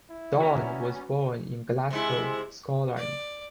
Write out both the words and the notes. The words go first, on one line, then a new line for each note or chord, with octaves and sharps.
Dunn was born in Glasgow, Scotland.
E4
G3 B3 C#4 F#4 B4 A#5
C3 G#3 E4
D5